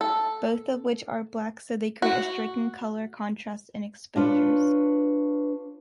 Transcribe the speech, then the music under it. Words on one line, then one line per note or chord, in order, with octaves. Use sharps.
Both of which are black so they create a striking colour contrast in exposures.
A4
F#4
D4 F4 B4 C#5